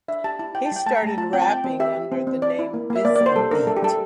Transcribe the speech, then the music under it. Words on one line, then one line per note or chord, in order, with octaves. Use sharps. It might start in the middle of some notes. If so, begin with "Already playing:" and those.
He started rapping under the name Busy Beat.
D4 E5
G4 A5
E4 A5
E4 G5
A5
G3 G5
A3 A5
A#5
A3 A5
F4 A5
C4 G5
A5
C4 G5
C4
G4 E5
G4
C4
C4
C4 D5
E4
A#3
A#3
E5
A#3 D5
D5
A#3
C5
G3 A4
D4 A#4
G3 A4
G4
G3 A4